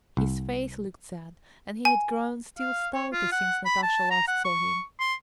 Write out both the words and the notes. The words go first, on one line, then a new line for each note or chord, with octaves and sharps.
His face looked sad, and he had grown still stouter since Natasha last saw him.
C2
G#5
F5
C#5
F4
F#5
B5
A5
A#5
F#5
C#6
C6